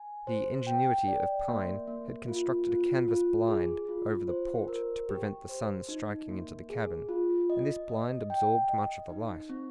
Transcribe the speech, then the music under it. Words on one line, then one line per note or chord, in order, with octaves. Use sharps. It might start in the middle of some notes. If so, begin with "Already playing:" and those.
The ingenuity of Pine had constructed a canvas blind over the port, to prevent the sun striking into the cabin, and this blind absorbed much of the light.
Already playing: G#5
C5
G5
D5
A#3
A#3
F4
F4
F4
G#4
F4
C5
A#4
G4
C5
D#4
A#3
G#4
F4
D#5
D#5
G5
D#5
D#4
C4